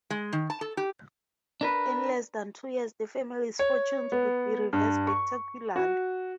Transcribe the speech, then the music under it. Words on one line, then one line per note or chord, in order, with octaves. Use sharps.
In less than two years the family's fortunes would be reversed spectacularly.
G#3
D#3
A5
A4
G4
D4 A#4 B4
C#5
B3
G2
C#6
F#4